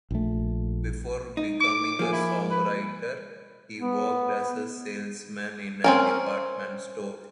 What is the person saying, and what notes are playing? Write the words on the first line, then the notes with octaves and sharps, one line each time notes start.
Before becoming a songwriter, he worked as a salesman in a department store.
A#1 A3
D#4
D6
F3 A#3 G#4
E4
B4
B3
C4 C#4 A#4